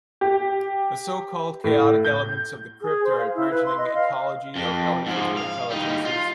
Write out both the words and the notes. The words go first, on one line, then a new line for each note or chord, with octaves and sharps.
The so-called chaotic elements of the crypt are a burgeoning ecology of Artificial Intelligences.
G4
A2
G6
G#4
C5
F5
E4
B4
C6
D#5
F5
F2
G#2 F3
F5
G3 D#4
F4